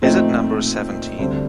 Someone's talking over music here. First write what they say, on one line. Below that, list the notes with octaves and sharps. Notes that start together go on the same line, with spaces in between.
Is it number seventeen?
A#2 F3 A3 C4 D#4
D2 D3 G3 C4